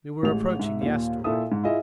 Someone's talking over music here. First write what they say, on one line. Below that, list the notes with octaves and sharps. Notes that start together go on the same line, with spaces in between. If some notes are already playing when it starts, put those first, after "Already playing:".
We were approaching the asteroid.
A1 G#3 F7
G#2 E5
D#2 A#2
A#2 E4 A4 E5 D#6
G#2
E4 F4 G#4 D#5 E5